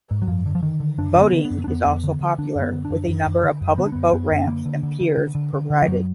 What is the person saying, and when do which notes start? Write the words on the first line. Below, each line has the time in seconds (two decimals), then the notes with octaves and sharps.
Boating is also popular, with a number of public boat ramps and piers provided.
0.11 G#2
0.22 F#3
0.27 F#2 F3
0.46 D3
0.55 F3
0.63 D3 D#3
0.80 D3
0.98 F#2 D4
1.15 D3
1.22 B3
1.32 D3
1.45 B3
1.50 F#2
1.64 D4
1.67 F2 B3
1.86 F2
2.04 D3
2.21 D3
2.38 D3 D4
2.55 F#2
2.62 B3
2.73 D3
2.85 D4
2.90 F#2
3.08 F#2
3.26 F#2
3.43 D3
3.61 F#2
3.77 D3 B3
3.86 D4
3.92 F#2 B3
4.13 F#2 B3
4.31 F#2
4.47 D3 A#3
4.65 D3
4.83 D3
5.00 D3
5.17 D3
5.35 D3
5.53 D3
5.70 D3
5.82 F3
5.87 F#2 F#3